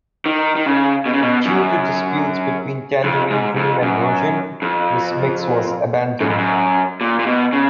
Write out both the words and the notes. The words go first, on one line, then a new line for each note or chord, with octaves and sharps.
Due to disputes between Tangerine Dream and Virgin, this mix was abandoned.
D#3
D#3
C#3
B2
C#3
B2
F#2
F2
G#2
F2
F#2
F2
F#2
F2
F#2
A#2
A#2
B2
C#3